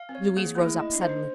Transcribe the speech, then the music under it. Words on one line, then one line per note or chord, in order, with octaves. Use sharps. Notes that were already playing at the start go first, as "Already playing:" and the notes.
Louise rose up suddenly.
Already playing: F5
C4
C#5
A#3 G#4
A#3 E4
A3
D#5
D4
D#4 C5
D4